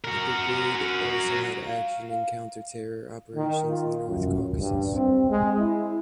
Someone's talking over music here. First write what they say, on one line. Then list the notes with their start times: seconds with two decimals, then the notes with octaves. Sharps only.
The Brigade Also had action in counter terror operations in the north Caucuses.
0.04 F#4 A#4
1.67 F5
3.36 D#3
3.70 F4
4.07 F#2
4.58 G2
4.94 C4
5.30 G#3
5.59 E4